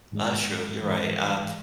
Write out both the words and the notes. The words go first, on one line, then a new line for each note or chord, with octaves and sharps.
That's true, you're right. Uh,
G#2 D#3 G#3
G#2 E3 G#3